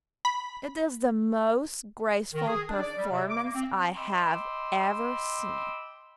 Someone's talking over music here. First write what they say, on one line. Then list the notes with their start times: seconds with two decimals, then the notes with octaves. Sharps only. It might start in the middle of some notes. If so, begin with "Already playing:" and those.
It is the most graceful performance I have ever seen.
0.25 B5
2.34 D#3
2.48 G#4
2.69 D4
2.81 D5
2.98 G3
3.11 C3
3.29 D6
3.43 A#3
3.55 C4
3.96 D#5 G5 B5 C6 D6 E6